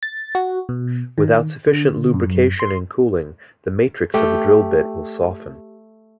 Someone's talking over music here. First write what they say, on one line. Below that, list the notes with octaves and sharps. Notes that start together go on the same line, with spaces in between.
Without sufficient lubrication and cooling, the matrix of the drill bit will soften.
A6
F#4
B2
D#3
D3
F#2
C6
A3 G4 G5